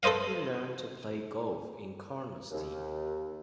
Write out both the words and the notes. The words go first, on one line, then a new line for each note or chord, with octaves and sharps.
He learned to play golf in Carnoustie.
A4 B4 C5 D#5 F5
D#2